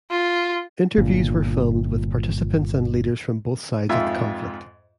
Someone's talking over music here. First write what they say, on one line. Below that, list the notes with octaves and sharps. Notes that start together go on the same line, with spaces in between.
Interviews were filmed with participants and leaders from both sides of the conflict.
F4
G1 A#2
F2 G#2 F4 E5